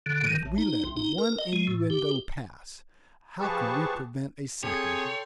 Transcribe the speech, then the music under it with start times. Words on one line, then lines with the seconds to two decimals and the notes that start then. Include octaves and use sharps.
But if we let one innuendo pass, how can we prevent a second?
0.06 D3
0.26 D#3
0.43 A1
0.58 D#4
0.84 C2
0.97 D#4
1.18 A#4
1.38 D#5
1.53 G#3
1.67 A2
1.90 G4
3.40 F3 G4 G#4 B4 A5 C#6
4.63 C3 G#4 A4 C#5 G5 C6